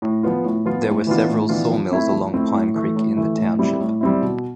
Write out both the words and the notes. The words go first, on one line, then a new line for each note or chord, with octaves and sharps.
There were several sawmills along Pine Creek in the township.
A2
F3 B3 F4
A2
F3 B3 F4
A2
E3 B3 D4 F4
A2
E3 B3 D4 F4
F3
A3 C4 E4
F3
A3 C4 E4
A2
E3 A3
A2
E3 A3
A2
G3 C4 E4
A2
G3 C4 E4
B2